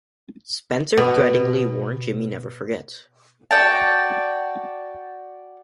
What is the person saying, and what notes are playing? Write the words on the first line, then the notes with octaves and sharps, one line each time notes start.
Spencer threateningly warned Jimmy never forgets.
B2
F#4 D5 G5 A5